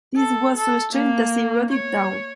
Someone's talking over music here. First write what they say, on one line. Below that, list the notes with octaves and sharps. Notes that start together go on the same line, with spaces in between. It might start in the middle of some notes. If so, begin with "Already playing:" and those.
This was so strange that she wrote it down.
A4
A4
A#3
C#5